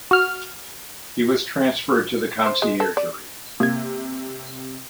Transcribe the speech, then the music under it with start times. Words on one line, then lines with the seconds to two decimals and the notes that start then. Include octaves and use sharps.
He was transferred to the "Conciergerie".
0.11 F#4 F6
2.46 C5
2.62 G#3
2.80 A4
2.97 D5
3.60 C3 A#3 G#6